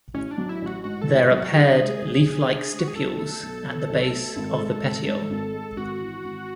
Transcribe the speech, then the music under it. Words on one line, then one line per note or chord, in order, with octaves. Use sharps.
There are paired leaf-like stipules at the base of the petiole.
A1 C#4
D4
F#3
E4
A1 F#4
G#2 F#4
A4
A1
G#4
F#3
F#4
D4 G#4
G#3
B1
A2
D4
G#3
F#4
G#4
B1 A4
A3
B1
B2
B1
A3
G#1
G#3
G#1
G#2
G#1
G#3
G#1 F#4
E3
G#1